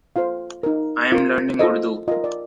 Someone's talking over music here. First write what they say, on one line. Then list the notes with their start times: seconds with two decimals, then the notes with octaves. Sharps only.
I am learning Urdu.
0.16 F4 A4 C5 F5
0.63 D#4 A#4
1.12 F4 A#4
1.59 F4 A4 C5 D#5
2.08 F4 A#4 D#5
2.24 D5